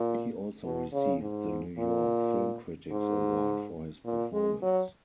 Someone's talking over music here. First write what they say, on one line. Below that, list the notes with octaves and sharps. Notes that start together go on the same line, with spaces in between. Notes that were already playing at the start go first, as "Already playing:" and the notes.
He also received the New York Film Critics Award for his performance.
Already playing: A#2
B2
C#3
G#2
A#2
G#2
A#2
G#3
F#3